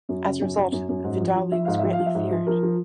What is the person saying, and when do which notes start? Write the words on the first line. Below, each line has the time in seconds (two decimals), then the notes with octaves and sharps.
As a result, Vidali was greatly feared.
0.09 F#2
0.25 C#3
0.41 F#2
0.56 F#2
0.72 F#2
0.89 F#2
1.04 G#2
1.20 F3
1.36 F3
1.52 F3 E5
1.65 G#2 F5
1.79 F3 E5
1.93 F5
1.99 F3
2.06 E5
2.15 G#2
2.31 F3
2.47 F3 A#4
2.63 F3